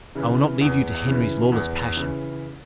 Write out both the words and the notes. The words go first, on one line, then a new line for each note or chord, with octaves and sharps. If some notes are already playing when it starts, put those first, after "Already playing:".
"I will not leave you to Henry's lawless passion."
C#3 E3
E2
C#3 E3
E2
C#3 E3